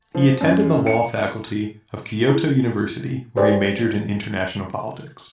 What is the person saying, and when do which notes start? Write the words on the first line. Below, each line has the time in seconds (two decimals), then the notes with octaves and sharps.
He attended the law faculty of Kyoto University, where he majored in international politics.
0.14 F3
0.41 F#2
0.87 C#7
2.29 E4
3.37 G4 G#4 B4 C5 D5